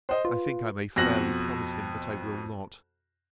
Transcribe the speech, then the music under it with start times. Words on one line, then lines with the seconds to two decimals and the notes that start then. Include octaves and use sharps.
I think I may fairly promise him that I will not.
0.09 C5 D#5
0.25 F4 B4
0.96 F2 B2 F#4 A#6 F#7